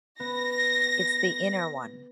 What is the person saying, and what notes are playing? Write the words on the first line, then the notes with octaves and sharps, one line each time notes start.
It’s the inner one.
B3 A#6